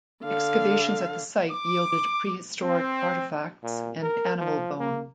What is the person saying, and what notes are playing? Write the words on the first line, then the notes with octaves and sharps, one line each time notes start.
Excavations at the site yielded Prehistoric artifacts and animal bone.
D3 F5
D6
C4
A#2
A#4
F3
A#3